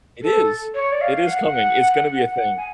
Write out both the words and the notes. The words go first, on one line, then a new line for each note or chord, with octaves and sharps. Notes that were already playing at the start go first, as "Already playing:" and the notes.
It is. It is coming, it's gonna be a thing.
A4
C#5
D5
F5
F#5
F#5
G#5